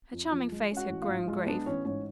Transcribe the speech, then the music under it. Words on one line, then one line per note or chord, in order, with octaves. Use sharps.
Her charming face had grown grave.
F2
F3
G#3
C#4
F#4 F#5
A1
F4 F5
G#2
G#3 F4 F5
B3 D4 D5
A1 C#4 C#5
G#2 C#4 C#5